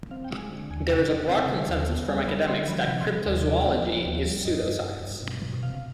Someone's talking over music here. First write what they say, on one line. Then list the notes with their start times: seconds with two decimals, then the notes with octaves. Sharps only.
There is a broad consensus from academics that cryptozoology is a pseudoscience.
0.11 C4 F5
0.24 G5
0.30 G#3
0.37 G#5
0.51 D3
0.70 D#2 G#5
0.90 C3 G5
1.10 C3 D#5
1.29 C4 F5
1.49 D3
1.69 D#2 G5
1.88 B3 G5
2.08 G3 G#5
2.28 G3 B5
2.48 D3 C6
2.67 F3 B5
2.87 C3 B5
3.01 C6
3.06 C3
3.13 B5
3.26 D#2 D5
3.47 F3 D5
3.66 B3
3.86 F3
4.05 D#2
4.25 G3
4.45 G2 D#5
4.65 G2
4.85 G2
5.04 G2
5.23 B2
5.43 B2
5.63 C3 F5